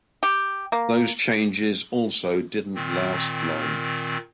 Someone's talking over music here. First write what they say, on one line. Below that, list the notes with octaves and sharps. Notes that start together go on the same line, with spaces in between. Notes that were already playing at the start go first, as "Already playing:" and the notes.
Those changes also didn't last long.
G4
A#3
A#2 D#3 C4